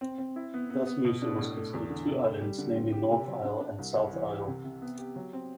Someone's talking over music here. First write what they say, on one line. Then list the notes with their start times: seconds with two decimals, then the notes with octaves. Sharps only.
Thus Mousa was considered two islands, namely North Isle and South Isle.
0.01 C4
0.18 C4
0.36 E4
0.54 B3
0.70 B3
0.87 B3
1.05 B2
1.22 D4
1.38 A2
1.57 A3
1.73 E2
1.90 D3
2.07 C3
2.25 A3
2.41 G3
2.58 D3
2.75 C4
2.92 G4
3.11 C3
3.28 F#3
3.44 D4
3.61 D4
3.79 C2
3.95 C2
4.13 E3
4.29 G4
4.47 C3
4.64 C3
4.82 B3
4.99 G4
5.16 F#3
5.33 C4